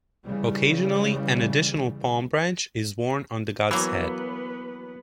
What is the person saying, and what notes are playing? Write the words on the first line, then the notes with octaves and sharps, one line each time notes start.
Occasionally, an additional palm branch is worn on the god's head.
C#3 E3 G3
E3 F#3 A#3 B3 B4